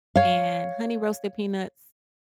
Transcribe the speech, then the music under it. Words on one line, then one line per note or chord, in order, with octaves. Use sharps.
and honey roasted peanuts.
C#5 F5